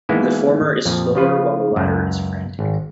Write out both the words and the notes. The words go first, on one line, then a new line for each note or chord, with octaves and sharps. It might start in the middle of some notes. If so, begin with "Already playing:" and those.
The former is slower while the latter is frantic.
E3 G#3 A#3 B3 D#4 E4
F2 A#2 F3
C#3 F3 F4 B4
C#2 F#2
G#1